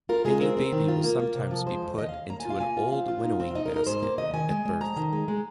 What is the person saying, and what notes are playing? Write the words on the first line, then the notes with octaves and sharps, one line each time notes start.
A new baby will sometimes be put into an old winnowing-basket at birth.
F4 A#4
G#3 G#4
C4 A#4
C4
D#3
F4
A#3
A#3
C3
F3
G#3 C5
F2
D#2 D#5
F5
D#2
A#3 A#5
G#5
F4
F5
A#3 G#5
F4
C4 F5
F4
D#4
C4
F5
D#4 D#5
A#4
D#4
A#4
G#2 C5
A#3
D#2 D#5
D#3 G#5
G#3
G#3
F2 A#5
D#3
G#3
G#3